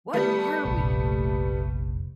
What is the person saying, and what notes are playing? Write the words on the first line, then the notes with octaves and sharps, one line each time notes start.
What Are We?
G3 A3 B3
F1 A#1